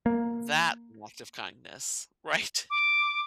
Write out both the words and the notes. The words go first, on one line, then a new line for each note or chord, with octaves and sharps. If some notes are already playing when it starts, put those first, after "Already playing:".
That act of kindness. Right?
A#3
D6